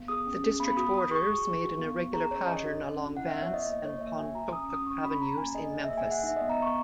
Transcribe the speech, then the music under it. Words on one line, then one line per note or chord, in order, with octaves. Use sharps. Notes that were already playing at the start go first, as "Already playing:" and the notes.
The district borders made an irregular pattern along Vance and Pontotoc Avenues in Memphis.
Already playing: B3
G#4 D#6
C#4
G#4
B3 B5
F#4 D#6
F#4 D#6
G#4 C#6
G#4
G#4
F#4
B3
F#4
G#4 A#5
C#4 C#5
G#4 D#5
F#4
C#4
C#4
E4 F#5
B3 E5
C#5
E4 D#5
A#3 D#5
A#3 C#5
A#3 E5
F#4 G#5
F#4 A#5
C#4 D#6
C#4 D#6
C#4 C#6
F#4 B5
C#4 A#5
A#3 G#5
G#4 D#5
G#4 D#5
E5
A#3
G#5
G#4 F#5
D#4 E5
B3 D#5
A#5
B3
C#6